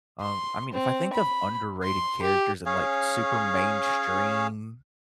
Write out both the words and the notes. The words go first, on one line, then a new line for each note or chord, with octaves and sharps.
um, I mean, if I think of underrated characters and, like, super mainstream
C6
C4
B5
C6
G4
C#4 G#4 C#5 F5